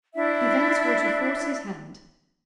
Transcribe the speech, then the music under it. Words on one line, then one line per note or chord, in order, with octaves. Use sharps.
Events were to force his hand.
D4 E4 E5